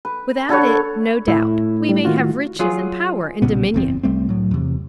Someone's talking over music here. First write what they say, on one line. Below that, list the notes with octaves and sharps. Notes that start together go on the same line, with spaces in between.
Without it, no doubt, we may have riches and power and dominion.
B4
D3 A4 B4 C#5
A2 E4
G3
D#3 F4 F#4
F#3 F4 G#4
B1 A#2 C#3 B3
F#1 E2 C4
C2 G3 A3 C4
A2 F#3
E2 C3